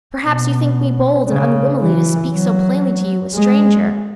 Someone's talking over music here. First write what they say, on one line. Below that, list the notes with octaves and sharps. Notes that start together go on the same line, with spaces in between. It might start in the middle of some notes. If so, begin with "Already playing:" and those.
Perhaps you think me bold and unwomanly to speak so plainly to you, a stranger.
B2
C#3
E3
F#3
G#3